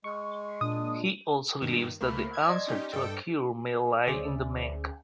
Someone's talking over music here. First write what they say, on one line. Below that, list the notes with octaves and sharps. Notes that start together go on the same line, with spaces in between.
He also believes that the answer to a cure may lie in the Menk.
G#3 C#6
A#2 D4 D#6
G2 D#3
C#2 A3 A#3 A#4 B5 F6
G#6
D5 D#5 C6
C#4 D#4 G4
G2 A4 G5
D2 C#4 G#4 C5 D5 E5